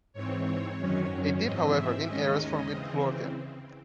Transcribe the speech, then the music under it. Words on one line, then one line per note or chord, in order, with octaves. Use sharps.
It did however gain areas from Midlothian.
G#2 E3 C4 C#5
F#2 D#3 F#3 C#4
G#2 E3 C4 D#5
E5
D#2 D#3 G#3 C#4 D#5
C#3 E3 C4